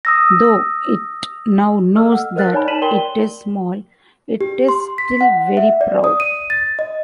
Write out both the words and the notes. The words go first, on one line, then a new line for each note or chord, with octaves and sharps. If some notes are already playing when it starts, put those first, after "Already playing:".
Though it now knows that it is small, it is still very proud.
D#6 E6 A#6
A4 D#5 E6 F6
F#5
A#4 C5 D#5 F6 F#6 A6
D#4 C#5 D5 G#5 A5 B5
D#4 B5 B6 D#7 E7 F#7
A#4 D5 G5 C6 F#7 G7
G4
C6
B6
F#5
E5
D5
D#6
D#7
A6
D#5